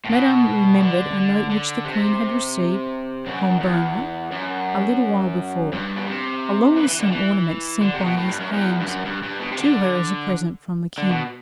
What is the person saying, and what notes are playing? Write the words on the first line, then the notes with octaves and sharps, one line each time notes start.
Madame remembered a note which the Queen had received from Boehmer a little while before, along with some ornaments sent by his hands to her as a present from the King.
A2
B2
D3
D3
C3
F#2
E2
F#2
G2
B2
C3
E3
E3
D3
E3
D3
C3
B2
A2
G2
F#2
E2
G2
F#2
G2
G2
B2
C3
D3
D3
B2